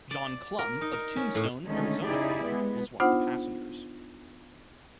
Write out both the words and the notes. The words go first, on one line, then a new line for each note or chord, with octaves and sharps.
John Clum, of Tombstone, Arizona fame was one of the passengers.
D5
A#4
D#4
A#4
C#4
A2
D3 D#3 G#3 A3 C#4 D#4
C#3 D#4 E4 G4 G#4 D5
G#3 B3
B3 D4 D#4 F4 C5 F#5